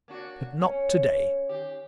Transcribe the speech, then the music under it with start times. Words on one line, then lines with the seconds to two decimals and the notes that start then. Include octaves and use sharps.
But not to-day.
0.08 A#3 D4 F#4
0.60 C#4
1.49 D#3 G4